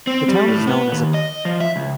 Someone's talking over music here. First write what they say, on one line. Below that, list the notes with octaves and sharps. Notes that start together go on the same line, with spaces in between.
The town is known as a balneologic and climatic resort.
C4
G3
A2
B3
D#2
D#5
F3
E5
C#2